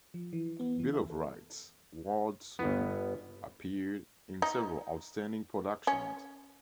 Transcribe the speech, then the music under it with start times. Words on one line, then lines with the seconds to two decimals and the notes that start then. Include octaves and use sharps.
Bill of Rights, Ward soon appeared in several outstanding productions.
0.14 F3
0.33 E3
0.59 B3
0.79 E3
0.94 E5
1.10 A4
2.59 G1 B3
4.42 D#4
5.87 C#4